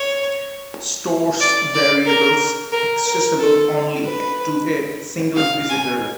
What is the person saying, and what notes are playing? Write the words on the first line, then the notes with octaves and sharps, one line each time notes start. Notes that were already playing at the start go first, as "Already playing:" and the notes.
Stores variables accessible only to a single visitor.
Already playing: C#5
D5
D5
A#4
A#4
A#4
A4
B4
F5
G#5